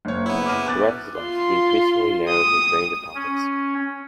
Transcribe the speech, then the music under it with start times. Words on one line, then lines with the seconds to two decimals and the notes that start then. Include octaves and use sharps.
Throughout his life, he increasingly narrowed his range of topics.
0.05 F#1 C#5
0.26 B3 E4
0.46 D6 F6 D#7
0.67 D6 F#6 A6
1.19 F4 C6
2.28 D#6
3.15 C#4